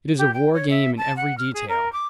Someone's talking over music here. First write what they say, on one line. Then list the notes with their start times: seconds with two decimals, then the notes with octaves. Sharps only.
It is a war game in every detail.
0.17 G4
0.33 G5
0.53 C#5
0.69 E5
0.97 A5
1.16 F#5
1.37 F6
1.53 G#4
1.68 A#4
1.92 D6